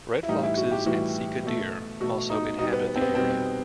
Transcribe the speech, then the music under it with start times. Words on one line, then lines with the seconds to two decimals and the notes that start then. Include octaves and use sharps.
Red foxes and sika deer also inhabit the area.
0.23 E4
0.28 A2 E3 G3 D#4
0.43 E4
0.57 F#4
0.72 G4
0.86 A2 E3 G3 F#4
1.43 B2 A3
2.00 B2 A3 F#4
2.30 D#4
2.58 B2 D#4
2.63 G3
2.73 B3
2.87 B3
2.96 C4
3.01 B3
3.15 B2 G3 C4
3.30 B3